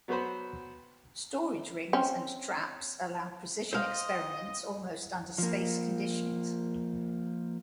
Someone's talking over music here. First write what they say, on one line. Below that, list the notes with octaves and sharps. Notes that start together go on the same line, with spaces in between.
Storage rings and traps allow precision experiments almost under space conditions.
F#3 B3 F#4 B4 C5 B5
C4 C#4
C5 D#5 F5
F3 A#3